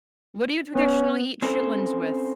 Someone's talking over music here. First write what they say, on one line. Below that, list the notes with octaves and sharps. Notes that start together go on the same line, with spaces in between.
What do you traditionally eat chitlins with?
B3 C#4
C4 C#4 A4 A#4 C5